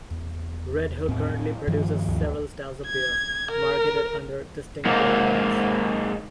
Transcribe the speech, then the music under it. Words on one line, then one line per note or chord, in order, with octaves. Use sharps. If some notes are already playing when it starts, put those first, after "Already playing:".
Redhook currently produces several styles of beer, marketed under distinct brand names.
E2
A2 C4
G2 D#3 F3
D2
G#6
A#4
G#2 A#3